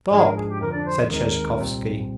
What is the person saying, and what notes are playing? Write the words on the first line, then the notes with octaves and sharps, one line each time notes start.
"Stop!" said Sheshkovsky.
G#2 F3 G#3 D4 G#4
A#4
G#4
G4
F2 D3 F3 A#4
D4 D5
C5
D#2 D#3 G#3 C4 D#4 A#4
C2 A#2 G3 C4